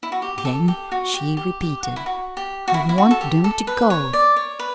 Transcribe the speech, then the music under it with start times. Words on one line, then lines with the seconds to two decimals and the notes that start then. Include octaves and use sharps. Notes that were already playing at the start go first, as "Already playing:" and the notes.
Then she repeated: "I want them to go!"
0.03 E4
0.12 F#4
0.22 G4
0.38 G4
0.45 A4
0.68 G4
0.92 F#4
1.14 G4
1.37 G4
1.61 G4
1.83 F#4
1.96 E4
2.06 F#4
2.37 G4
2.68 F#4
2.74 E4
2.89 E4
2.98 F#4
3.11 A4
3.21 G4
3.44 A4
3.67 B4
3.90 C#5
4.13 D5
4.36 C#5
4.59 B4